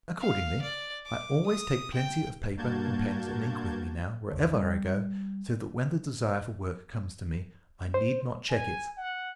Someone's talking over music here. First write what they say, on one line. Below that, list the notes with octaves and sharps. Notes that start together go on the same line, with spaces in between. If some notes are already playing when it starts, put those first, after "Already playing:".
Accordingly, I always take plenty of paper and pens and ink with me now, wherever I go, so that when the desire for work comes to me I need not check it.
F5
D5
D6
D#6
G5
G2 A#3 F#4 A5 G6 G#6
B1 E2 D3
G3
C5
G#5
F#5